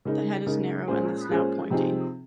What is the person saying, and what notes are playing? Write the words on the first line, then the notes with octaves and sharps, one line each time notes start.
The head is narrow and the snout pointy.
C#3 G#3 D#4 A#4
C#3 G#3 D#4 A#4
A#2 G#3 C#4 G#4 C5
A#2 G#3 C#4 G#4 C5
C3 F3 C4 D#4 G#4